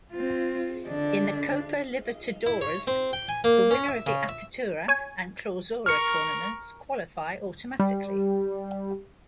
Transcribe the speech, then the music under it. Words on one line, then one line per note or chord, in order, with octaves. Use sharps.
In the Copa Libertadores, the winner of the Apertura and Clausura tournaments qualify automatically.
C4 F4
D3 D4
E4
C#5
C4
G5
G#5
A#3
C#4
E5
C#3
E5
C#5 G#5
A#4 C#6 F6 C#7
G3